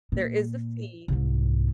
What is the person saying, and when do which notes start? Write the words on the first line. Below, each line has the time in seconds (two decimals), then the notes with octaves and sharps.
There is a fee,
0.12 A#2
1.08 C2 G#2